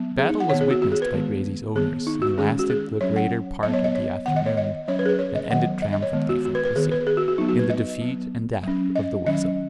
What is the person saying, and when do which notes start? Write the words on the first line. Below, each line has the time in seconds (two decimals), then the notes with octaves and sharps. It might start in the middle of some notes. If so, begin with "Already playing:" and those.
The battle was witnessed by Graysie's owners, and lasted the greater part of the afternoon, and ended triumphantly for pussy, in the defeat and death of the weasel.
Already playing: F#3 B3
0.19 G#4
0.29 D#4
0.40 F#5
0.50 D#3 B3 C#5
0.61 G#4
0.71 F#4
0.82 F#4
0.92 G#4
1.02 B4
1.13 D#3 G#3 B3
1.75 D#3 B3 G#4
2.07 D#4
2.22 F#4
2.38 D#3 G#3 C#4 G#4
2.59 F#4
2.70 G#4
3.01 F#3 C#4 C#5
3.16 F#5
3.63 F#3 D#5
3.68 B3
3.74 C#5
3.84 D#5
3.95 C#5
4.26 D#3 B3 F#5
4.36 D#5
4.46 C#5
4.57 D#5
4.88 F#3 C#4 C#5
4.99 B4
5.05 G#4
5.09 B4
5.19 C#5
5.35 D#5
5.51 D#3 F#3 B3 F#5
5.82 D#5
5.93 D#5
6.02 C#5
6.13 D#3 G#3 B3
6.29 F#4
6.45 F#4
6.55 B4
6.65 B4
6.76 D#3 B3 G#4
6.91 B4
7.07 G#4
7.17 F#4
7.28 F#4
7.38 F#3 B3 D#4
7.48 F#4
7.59 B4
7.70 D#5
8.01 F#3 B3
8.63 F#3 C#4
8.95 D#5
9.26 D#3 F#3 C#4 D#5